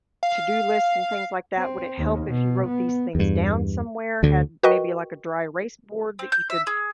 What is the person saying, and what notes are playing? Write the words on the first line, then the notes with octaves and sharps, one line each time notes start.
to-do lists and things like that? Would it help if you wrote these things down somewhere, had maybe like a dry erase board that you could
F5
C4
D#2
B2
B3
E2 G2
D2 D3
F#4 A#4 B4 D#5 G5 C#6
C4
G6
E5
G#4